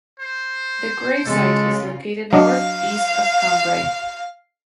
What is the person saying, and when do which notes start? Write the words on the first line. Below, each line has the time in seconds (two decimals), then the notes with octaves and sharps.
The gravesite is located north east of Cambrai.
0.19 C5
1.25 C#3 G#3 F4 A4
2.33 F#3 D4 D#5 F5